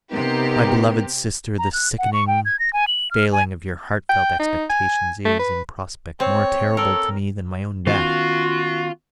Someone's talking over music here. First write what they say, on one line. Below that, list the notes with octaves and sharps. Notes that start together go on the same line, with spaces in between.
My beloved sister, the sickening failing of your heart-felt expectations is, in prospect, more terrible to me than my own death.
C3 B3 D#4 G4 A#4
A#5
F#6
F#5
C#6
G5
G#6
A#6
G#5
F#7
F6
G#5
G5
D#4
G#5
A3
B4
C4 C#5
A4 A#4
D#3 B3 C#4 F4 F#4